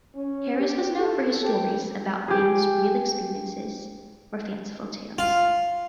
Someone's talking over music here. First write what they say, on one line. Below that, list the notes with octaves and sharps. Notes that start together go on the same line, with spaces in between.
Harris was known for his stories about things real experiences or fanciful tales.
C#4
G4
A4
G4
G4 G#4
F4